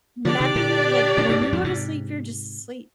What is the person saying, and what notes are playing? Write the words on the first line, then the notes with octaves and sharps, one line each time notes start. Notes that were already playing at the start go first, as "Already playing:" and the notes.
Nothing? Like, when you go to sleep, you're just asleep.
D3 F3 D4 G4 D5
C3 D#3
A#2 D3
A#2 D3
G#2 C3
G2
F2 G#2
G#2 C3